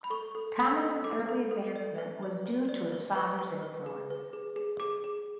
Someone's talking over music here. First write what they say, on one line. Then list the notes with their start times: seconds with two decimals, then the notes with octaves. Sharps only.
Thomas's early advancement was due to his father's influence.
0.04 B5
0.10 A4 C#6
0.35 A4
0.58 A4
0.82 A4
1.04 A4 D6
1.29 A4
1.51 A4
1.76 D5
1.98 B4
2.23 D5
2.46 B4
2.69 D5
2.92 B4
3.15 B4
3.39 B4
3.63 B4
3.86 G#4
4.10 B4
4.33 G#4
4.56 G#4
4.80 G#4 D6
5.04 G#4